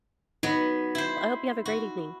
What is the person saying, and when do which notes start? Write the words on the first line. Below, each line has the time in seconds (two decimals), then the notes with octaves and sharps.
I hope you have a great evening.
0.43 F#3 B3 D#4
0.95 E4 C5
1.66 F#4